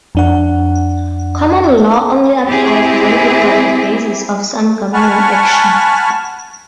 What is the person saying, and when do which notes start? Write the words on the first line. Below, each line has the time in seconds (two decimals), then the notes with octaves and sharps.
Common law only applied when it was the basis of some government action.
0.15 F2 D4 F#5
2.47 C4 E4 G4 G#4
4.93 F#5 G#5 A5 B5 C#6 F6